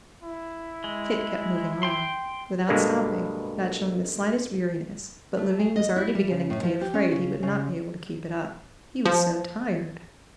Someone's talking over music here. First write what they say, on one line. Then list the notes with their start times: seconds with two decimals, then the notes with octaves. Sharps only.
Tit kept moving on, without stopping, not showing the slightest weariness, but Levin was already beginning to be afraid he would not be able to keep it up: he was so tired.
0.23 E4
0.84 G#3
1.83 G5 C6
2.69 G2 B2 D3 G#3 A#3
5.37 A3
5.59 G#4
5.76 D#5
5.96 E4
6.15 G3
6.31 C#3
6.50 A2
6.63 F3
6.81 G4
6.94 C#4
7.12 C#3
7.43 C#3
9.05 F3